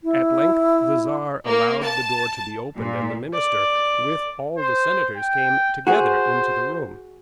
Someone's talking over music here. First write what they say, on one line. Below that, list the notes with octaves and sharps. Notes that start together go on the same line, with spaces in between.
At length the Czar allowed the door to be opened, and the minister, with all the senators, came together into the room.
E4
A#3
A5
A#2
D5
C5
G5
F#4 G#4 C5